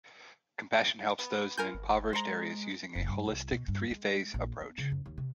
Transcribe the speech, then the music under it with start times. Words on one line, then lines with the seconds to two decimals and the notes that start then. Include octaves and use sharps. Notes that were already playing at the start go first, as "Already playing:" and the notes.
Compassion helps those in impoverished areas using a holistic three-phase approach.
1.19 B3
1.57 F4 A#4 G#5 G6
1.74 G1
2.13 G#3 C5 A#5
2.95 F#1
3.08 G2
3.26 C2
3.52 B2
3.68 G2
3.91 G#3
4.34 A#1
4.61 B3
4.78 C#3
4.92 F#2
5.06 D#2
5.18 C3